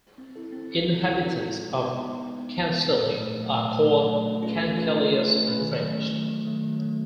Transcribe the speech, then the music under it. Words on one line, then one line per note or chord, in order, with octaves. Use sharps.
Inhabitants of Cancale are called "Cancalais" in French.
C4
E4 A4
C4
E4 A4
C4
E4 A4
C4
E4 A4
G#3
B3 D#4
G#3
B3 D#4
G#3
B3 D#4
G#3
B3 D#4
A#2
F#3 A3
A#2
F#3 A3
A#2
F#3 A3
A#2
F#3 A3
A3
C#4 F4 G#4 B4
A3
C#4 F4 G#4 B4
A3
C#4 F4 G#4 B4
A3
C#4 F4 G#4 B4
D#3
F#3 A3
D#3
F#3 A3
D#3
F#3 A3
D#3
F#3 A3